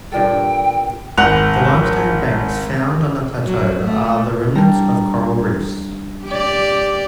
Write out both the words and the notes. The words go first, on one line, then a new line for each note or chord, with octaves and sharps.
The limestone banks found on the plateau are the remnants of coral reefs.
G2 A#2 A4 G5
G#1 F#5 F#6 F7
F#3
A3
G3 D4 A#5
G4 D5